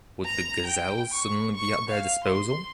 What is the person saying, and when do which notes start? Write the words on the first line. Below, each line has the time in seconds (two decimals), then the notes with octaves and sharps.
Would the gazelles suddenly be at their disposal?
0.25 A#5
0.66 G5
1.13 C#6
1.55 C#6
1.90 F5
2.24 C6